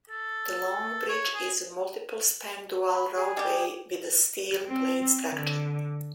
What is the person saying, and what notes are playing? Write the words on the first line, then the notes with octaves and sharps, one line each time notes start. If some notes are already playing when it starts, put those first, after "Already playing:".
The -long bridge is a multiple span dual roadway with a steel plate structure.
A4
C#5
G#4
B5
G#4
G3 G4
C4
D3